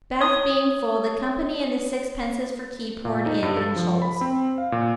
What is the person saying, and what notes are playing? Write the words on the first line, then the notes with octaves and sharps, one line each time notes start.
Bath being full, the company, and the sixpences for tea, poured in, in shoals.
C#5 D#6
A#2
D#4
G2
A4
F3
B5
C4
F5
A#2